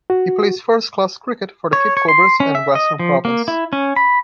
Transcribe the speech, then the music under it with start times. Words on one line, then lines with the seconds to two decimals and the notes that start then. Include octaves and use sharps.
He plays first-class cricket for the Cape Cobras and Western Province.
0.10 F#4
1.73 C#5
1.97 C#5
2.09 C6
2.40 C#4
2.55 E5
2.75 D#5
2.99 F3
3.25 A#3
3.48 E4
3.73 C#4
3.96 B5